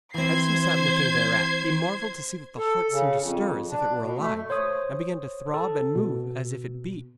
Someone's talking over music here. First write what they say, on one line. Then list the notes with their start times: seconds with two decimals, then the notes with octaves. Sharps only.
As he sat looking thereat, he marvelled to see that the heart seemed to stir as if it were alive, and began to throb and move as if it beat.
0.14 E3 C4 C5 G#6 C7
2.58 A4
2.90 C#3
3.20 F2
3.70 D4
4.01 B2
4.18 A3
4.50 C5 C#5 D#6
5.54 A4
5.95 B2